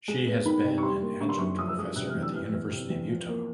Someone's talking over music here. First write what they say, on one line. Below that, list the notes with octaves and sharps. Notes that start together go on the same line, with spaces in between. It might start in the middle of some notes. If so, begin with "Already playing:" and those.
She has been an adjunct professor at the University of Utah.
G#3
B3
D#3 B5
C3
C#6
G3 C6
A#3
D3 C#6
C6
F#2 C#6
F3 D#6
E6
G#3 D#6
C3 F#6
F6
E2
E6
E3 F6
E2
C3
E2
F3
A#3